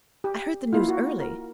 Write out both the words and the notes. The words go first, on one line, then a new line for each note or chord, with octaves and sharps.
'I heard the news early.
G4
A#3 E4 F4
F#4
A#4